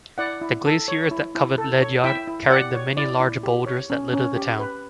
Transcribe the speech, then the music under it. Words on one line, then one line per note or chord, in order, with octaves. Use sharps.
The glaciers that covered Ledyard carried the many large boulders that litter the town.
E4 D5 F#5
E4
A4
C#5
E4
E4
A4
C#5
E4 E5 G5
E4
G4 D5 F#5
C#5
E4 D5
E4
G4
C#5
C#4
C#4
G4
B4